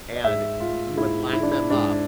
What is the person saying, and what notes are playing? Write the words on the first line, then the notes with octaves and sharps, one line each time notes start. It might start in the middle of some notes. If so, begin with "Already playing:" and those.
and you would line them up,
D5
G#2 G#3 E5
F4
G#2 G#3 E4
E4
D4
E4
G#2 G#3 D4